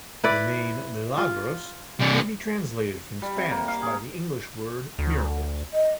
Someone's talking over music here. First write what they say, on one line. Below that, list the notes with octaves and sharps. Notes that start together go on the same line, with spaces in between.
The name "Milagros" may be translated from Spanish by the English word, "miracles".
E4 B4 D5
F4
C3 D4
G3
C3
A#3
F5
G#4
D2
D#5